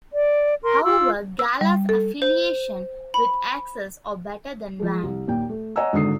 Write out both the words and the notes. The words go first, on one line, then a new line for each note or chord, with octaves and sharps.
However, Gala's affiliation with axes are better than Vahn.
D5
A#4 C6
F4 E6
E6
G3
A4
C5
B5
F3 G#3
C2
D#2 A#2 G5
A3
C#5 D#5 F#5 G#5 A#5 E6
G#1 G#2 D3 D#6 C7